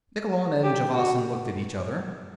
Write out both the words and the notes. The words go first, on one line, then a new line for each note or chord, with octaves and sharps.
Nikkolon and Javasan looked at each other.
G4
F#4